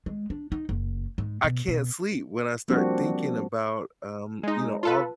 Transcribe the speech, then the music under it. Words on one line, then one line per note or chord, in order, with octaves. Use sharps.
I can't sleep when I start thinking about, um, you know, all
G#3
D4
D#4
F#1
G#2
B2
B2
F3 G3 A#3 C4 D4 F#4
G#3 D#4
F4 A4 B4